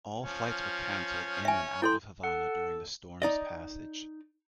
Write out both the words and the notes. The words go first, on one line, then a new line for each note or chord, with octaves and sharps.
All flights were canceled in and out of Havana during the storm's passage.
F3 C#4
E5 G#5
E4 A4 G5 C6
A4 F#5
D#4 D5 D#5